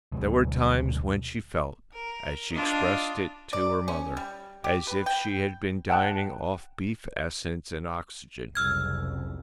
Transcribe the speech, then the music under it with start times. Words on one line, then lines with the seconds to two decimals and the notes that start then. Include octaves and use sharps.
There were times when she felt, as she expressed it to her mother, as if she had been dining off beef essence and oxygen.
0.12 D2 B2 F#3 G#3
1.92 A#4
2.53 D4 F4 D#5
3.53 D5
3.88 C#4
4.17 G3
4.64 G4
4.87 B4
5.06 G5
5.90 F#5 G5 A5 F#6
8.55 F#1 C2 F2 E6 F6 G#6